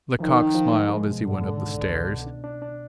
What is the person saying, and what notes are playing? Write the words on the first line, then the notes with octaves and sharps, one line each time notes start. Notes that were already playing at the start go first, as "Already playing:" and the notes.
Lecoq smiled as he went up the stairs.
D#3 F3
D#4
F3
G#3
G#3
B2
G#2 D3
G#3
D#3
C2
B2
B2
D4
D4
D4